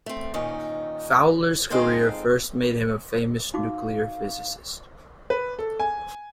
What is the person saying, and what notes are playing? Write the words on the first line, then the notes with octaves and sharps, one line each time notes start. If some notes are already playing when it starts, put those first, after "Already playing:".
Fowler's career first made him a famous nuclear physicist.
A3 C4
A#2 D#3 C#4 D#4
G#3 C4 D#4 F4 A4
D#4 F#4 F5 D6
B4
A4
G#5